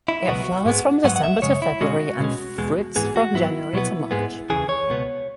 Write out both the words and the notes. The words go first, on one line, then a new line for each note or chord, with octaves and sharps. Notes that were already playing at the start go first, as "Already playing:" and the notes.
It flowers from December to February and fruits from January to March.
E4
C#2 B2 F#3 B3 F#4
G#2 G#3 B3
G#2 F#3 B3 F#5
F#5
E5
F#2 C#3 G#3 C#5
E4
B2 G#3 C#4 F#4
B2 G#3 C#4
E2 B2 G#3
G#2 E3 B3 G#4
F#4
G#2 F#3 B3 E4
B2 F#3 B3
G#2 G#3 B3
E2 C#3 E3 G#4
C#5
C#2 B2 B3